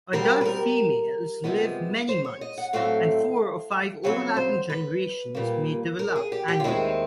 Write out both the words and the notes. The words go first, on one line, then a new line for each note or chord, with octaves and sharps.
Adult females live many months, and four or five overlapping generations may develop annually.
B2 G3 C4 A#4
B4
A#4
C3 F3 G#3 B3
C5
C#5
D#5
F#5
A2 F#3 A3 C4 F5
F2 C#3 F#3 C4 C#5
C5
B4
A#2 G3 A#3
A#4
G#4
G4
G4
F4
D#2 D#3 G#3 C4 E4